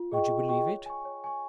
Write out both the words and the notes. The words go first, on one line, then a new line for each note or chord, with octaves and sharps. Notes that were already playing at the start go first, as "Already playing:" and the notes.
Would you believe it?
Already playing: F4
G#4 D#5 G5 C#6
F4
G#4 D#5 G5 C#6
C#5
G#5 C#6
C#5
G#5 C#6